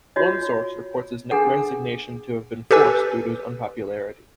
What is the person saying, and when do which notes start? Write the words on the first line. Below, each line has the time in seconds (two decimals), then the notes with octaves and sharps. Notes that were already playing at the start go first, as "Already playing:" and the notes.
One source reports his resignation to have been forced due to his unpopularity.
0.16 F4 F#4 C#5 D#5
1.31 D4 G#4 A4 F#5
2.71 G4 A4 B4 G#5 E6